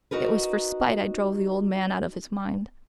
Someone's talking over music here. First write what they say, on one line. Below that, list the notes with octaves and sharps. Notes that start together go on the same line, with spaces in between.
It was for spite I drove the old man out of his mind....
D#4 F#4 A#4 B4